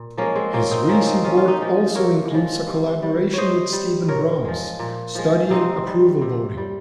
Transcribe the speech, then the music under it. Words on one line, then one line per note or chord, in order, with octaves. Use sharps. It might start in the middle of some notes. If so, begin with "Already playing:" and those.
His recent work also includes a collaboration with Steven Brams studying approval voting.
Already playing: A#2
F3 G#3 A#3 C#4
G#3 C4
A#2 A#3 C#4
C4 D#4
F3 G#3 A#3 C#4
C4 D#4
C3 C#4 F4
F4
D#4 G4
F3 G#3
C3 A#4 C#5
F3 G#3
C3
G3
C3 C5 C#5 D#5
G3
A#2 A#4 C#5
F3 G#3
A#2
F3 G#3
C3 C4 D#4
G3
C3
G3